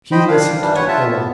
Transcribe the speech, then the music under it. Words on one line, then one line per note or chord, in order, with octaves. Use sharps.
She listened to all.
C5 D#5 G5 B5
D4 F5
G2 E3 G3 D4
B4 C#5 F#5
F4 E5 A5
B3